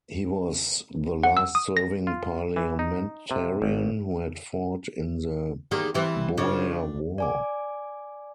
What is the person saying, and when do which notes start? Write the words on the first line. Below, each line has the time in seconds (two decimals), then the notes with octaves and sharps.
He was the last serving parliamentarian who had fought in the Boer War.
1.23 F#5
1.37 E6
1.55 D#6
1.77 A#6
2.07 F4
2.56 E3
2.79 D#4
3.31 C3
3.62 G#1
5.71 E2 D#3 A#3 G4 G#4
5.95 E3 G3 C4 E4
6.38 C#3 F3 D4
7.18 D5 G#5 D6